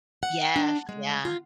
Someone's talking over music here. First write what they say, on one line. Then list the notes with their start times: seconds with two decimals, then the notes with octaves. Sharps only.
Yes, yeah.
0.23 F#5
0.56 D4
0.89 G#3
1.25 F4